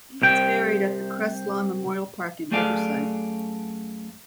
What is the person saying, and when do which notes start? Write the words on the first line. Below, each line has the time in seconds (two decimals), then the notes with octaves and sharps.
He was buried at the Crestlawn Memorial Park in Riverside.
0.22 C2 C3 G5
2.51 F#2 A3 G#4 A4 D5 F5